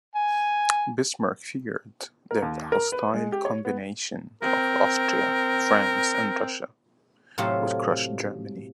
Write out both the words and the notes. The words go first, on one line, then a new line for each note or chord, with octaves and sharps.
Bismarck feared that a hostile combination of Austria, France and Russia would crush Germany.
G#5
A#4
D#2
A#4
B4
G#3
G4
C#5
B3
C4 A#4
A2 C3 F#3 F4 G4 C5